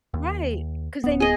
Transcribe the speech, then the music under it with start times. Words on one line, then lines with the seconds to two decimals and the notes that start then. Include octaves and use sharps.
Right, 'cause then
0.14 D#2
1.04 D1 B3
1.20 G#4 D#5